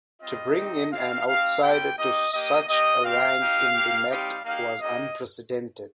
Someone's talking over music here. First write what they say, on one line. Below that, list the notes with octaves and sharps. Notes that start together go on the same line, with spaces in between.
To bring in an outsider to such a rank in the Met was unprecedented.
G3 C4 F4 D#5
C4 D#4 G4
C4 G4 F5
C4 D#4 G4 F5
G3 C4 G4 G5
A#3 D#4 G4 D#5
A#3 G4 D#5
A#3 G4 D#5
C4 G4 F5
C4 D#4 G4
A#3 G4
G3 C4 D#4 G4 F5
A#3 D#4 G4 F5
A#3 D#4 G4 D#5